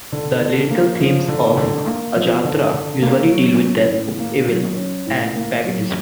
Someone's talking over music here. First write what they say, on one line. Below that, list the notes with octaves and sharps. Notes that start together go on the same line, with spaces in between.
The lyrical themes of "Ajattara" usually deal with death, evil and paganism.
D3
D3
A#3
F3
D3
D3
A#3
F3
D3
D3
A#3
F#3
C#4
A2
A#3
F#3
C#4
A2
A#3
F#3